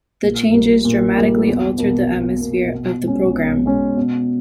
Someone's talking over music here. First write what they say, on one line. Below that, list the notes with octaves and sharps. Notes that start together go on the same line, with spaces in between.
The changes dramatically altered the atmosphere of the program.
A#2
G3 A#3
A#2
G3 A#3
E2
B2 A#3
E2
B2 A#3
B2
G#3 C#4
B2
G#3 C#4
B2